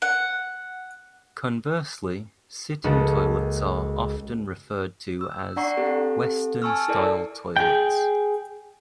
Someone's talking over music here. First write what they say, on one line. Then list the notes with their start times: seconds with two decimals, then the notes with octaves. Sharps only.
Conversely, sitting toilets are often referred to as "western-style toilets".
0.02 F#5
2.84 C#2 A#3 F#4 A4
5.21 E6
5.56 D4 D5 F#5 A#5 C#6 C7
5.77 C4 G4 A4
6.62 G#5 A5 C#6 E6 F6
6.88 E4 A4 A#4 D5
7.57 G#4 G5